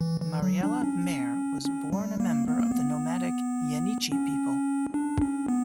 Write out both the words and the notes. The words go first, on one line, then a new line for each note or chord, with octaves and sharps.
Mariella Mehr was born a member of the nomadic Yeniche people.
E3
E3
F#3
D4
C#4
C#4
G3
A#3
B3
A#3
B3
C#4
D4
C#4
B3